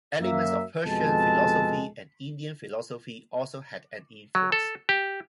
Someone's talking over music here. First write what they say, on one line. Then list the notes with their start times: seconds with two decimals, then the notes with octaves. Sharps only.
Elements of Persian philosophy and Indian philosophy also had an influence.
0.20 F#2 A#3 E5
0.85 F2 B2 G#3 A4 A5
4.35 F#3
4.52 A4
4.89 G4